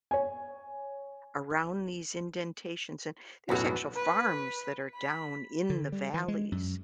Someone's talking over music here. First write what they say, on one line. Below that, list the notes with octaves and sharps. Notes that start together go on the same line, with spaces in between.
around these indentations, and there's actual farms that are down in the valleys,
C#5 G#5
B1 F#2 A2 B3 F#4
B4
B5
D3
G3
E3
G#3
F#2